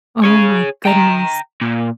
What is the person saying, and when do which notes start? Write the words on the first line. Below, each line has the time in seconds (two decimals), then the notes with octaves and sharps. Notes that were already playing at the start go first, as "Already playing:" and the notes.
Oh my goodness.
0.24 G#4 C#5
0.86 G5 A#5
1.61 A#2